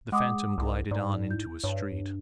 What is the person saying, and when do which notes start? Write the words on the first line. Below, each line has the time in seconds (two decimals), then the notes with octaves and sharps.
The Phantom glided on into a street.
0.12 G#3 F#5 D6 D#6
0.58 C2
0.91 G#2 D5
1.31 E4 G6
1.64 G2 C#5